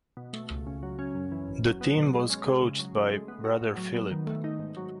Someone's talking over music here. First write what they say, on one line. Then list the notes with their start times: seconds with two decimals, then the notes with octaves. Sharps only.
The team was coached by Brother Philip.
0.17 B2
0.33 A3
0.50 C#2
0.67 C#3
0.83 F#3
0.99 C#4
1.15 F#2
1.32 E3
1.48 G#1
1.65 F#3
1.81 B3
1.97 B2
2.14 G#3
2.30 C#4
2.46 G#4
2.62 C#3
2.79 F#3
2.96 A3
3.12 G#3
3.28 B3
3.45 F#4
3.61 A2
3.77 F#3
3.94 B3
4.11 D#3
4.27 A3
4.44 D#4
4.59 G#2
4.77 F#3